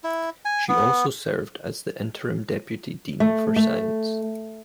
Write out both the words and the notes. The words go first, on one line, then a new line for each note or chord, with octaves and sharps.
She also served as the interim deputy dean for science.
E4
G#5
B3
A3
A3